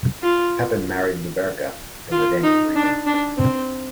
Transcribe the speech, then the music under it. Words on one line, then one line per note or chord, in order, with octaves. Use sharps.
Pepin married Leutberga from the Danube region.
F4
F4
D#4
D4
D4
C4